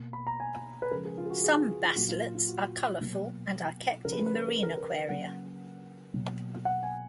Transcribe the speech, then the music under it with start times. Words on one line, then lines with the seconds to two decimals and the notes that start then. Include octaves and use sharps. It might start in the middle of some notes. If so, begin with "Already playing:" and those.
Some basslets are colorful and are kept in marine aquaria.
Already playing: B2 A#3
0.13 B5
0.27 A#5
0.40 G#5
0.82 B4
0.91 C#3 F3 G#3 A#4
1.05 G#4
1.18 F4
1.25 G#4
1.31 F#4
1.44 G#4
1.85 F4
1.96 A#2 F#3 A#3 F#4
2.09 F4
2.35 F4
2.48 F#4
3.01 B2 F#3 A#3
4.05 C#3 F3 G#3 A#4
4.12 B4
4.19 A#4
4.26 B4
4.34 A#4
4.41 B4
4.48 A#4
4.56 B4
4.63 A#4
4.70 B4
4.77 A#4
5.09 C#3 F#3 A#3 F#5
6.14 B2 F#3 A#3
6.65 F#5
6.83 G#5